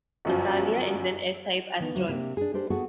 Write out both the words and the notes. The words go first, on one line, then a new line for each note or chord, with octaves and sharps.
Massalia is an S-type asteroid.
G1 F#2 F3
D#3 E3 B3
D2 D3 F#3
C3 A#3 D4
D4 G#4
D4 G4 A4 C5
B3 F#4 G#4 A4 F#5 G5